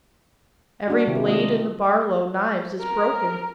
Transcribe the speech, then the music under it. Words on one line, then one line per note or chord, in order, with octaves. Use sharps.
Every blade in the Barlow knives is broken.
A#3 D4 F#4
C3 D#3 C4 E4 G4
G#3 A#3 F4 D#5
A#4